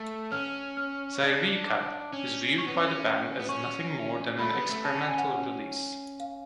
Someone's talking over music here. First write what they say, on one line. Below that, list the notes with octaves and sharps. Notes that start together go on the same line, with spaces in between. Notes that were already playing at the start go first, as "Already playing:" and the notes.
"Zaireeka" is viewed by the band as nothing more than an experimental release.
Already playing: A3
C#4 F6
F6
D4
D6
C#4
C#4 C#6
B3
C#4
B3
C#4 C#6
A3 B5
B3
A3
C#4 A5
A5
G#5
F#5
F5